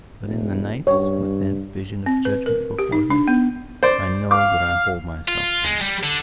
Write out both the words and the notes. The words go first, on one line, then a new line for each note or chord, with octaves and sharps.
But, in the nights, with that vision of judgement before me, I know that I hold myself back.
E1
G2 C#5
C4
B4
A#4
G4
D#4
D4
B3
C5 D5
F5 D6
F4
G#3
G3
D3